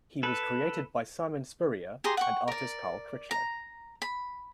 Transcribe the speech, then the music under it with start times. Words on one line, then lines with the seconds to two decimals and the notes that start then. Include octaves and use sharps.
He was created by Simon Spurrier and artist Carl Critchlow.
0.23 A4 B4
2.04 G4 G#4 A#5 C6
2.17 F#5 G5 C#6
2.48 A#4 D5
3.31 A#5
4.02 B5